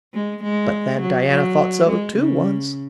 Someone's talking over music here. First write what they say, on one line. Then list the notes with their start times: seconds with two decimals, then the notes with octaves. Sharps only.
But then Diana thought so too, once.
0.14 G#3
0.43 G#3
1.01 F#3
1.29 F#3
1.87 G#3
2.16 C#3